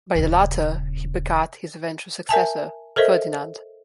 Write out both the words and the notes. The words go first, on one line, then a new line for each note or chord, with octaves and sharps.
By the latter, he begat his eventual successor, Ferdinand.
D#1 C#3
A#4 E5 G#5 A5
A4 A#4 C5 D#5 E5